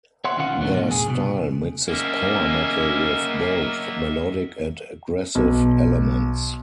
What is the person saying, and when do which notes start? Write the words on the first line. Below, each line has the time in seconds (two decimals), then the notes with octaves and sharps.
Their style mixes power metal with both melodic and aggressive elements.
0.25 C#5 E5 F#5 C6
0.37 B1 D#3 C#4 F4 C#5 F#5
0.61 D#3 G#3 A3 B3 D4
0.73 F2 G#2 B2
0.91 G#4
1.07 C2 B2
1.88 F#3 A#3 C#4 D#5 E5
5.35 B1